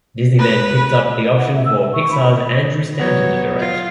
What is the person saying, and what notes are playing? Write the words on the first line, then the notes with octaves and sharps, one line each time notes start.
Disney then picked up the option for Pixar's Andrew Stanton to direct.
B4
F#5
E5
E6
E5
C#6
B5
F#3 B3 C#5
F4